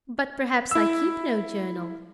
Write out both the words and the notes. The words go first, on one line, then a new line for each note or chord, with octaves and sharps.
"But, perhaps, I keep no journal."
E4 E6